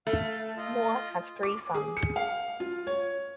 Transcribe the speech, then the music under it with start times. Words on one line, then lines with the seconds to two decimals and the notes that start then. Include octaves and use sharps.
Moore has three sons.
0.07 A3 F5
0.57 F4 D#5
1.43 D6
1.74 G#4
1.97 C#7
2.16 F5
2.60 F4
2.87 C#5